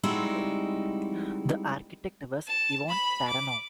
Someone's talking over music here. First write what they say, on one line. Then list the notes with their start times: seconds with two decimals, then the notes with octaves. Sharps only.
The architect was Ivan Taranov.
0.03 G3 G#3 C4 D#4 E4 F#4
2.47 A5
2.89 B5
3.27 D6